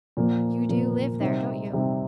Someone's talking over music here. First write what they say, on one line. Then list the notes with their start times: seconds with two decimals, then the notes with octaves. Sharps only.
You do live there, don't you?
0.17 A#2 F3 A#3
0.69 A#2 F3 A#3
1.21 C3 G3 C4 D#4
1.73 C3 G3 C4 D#4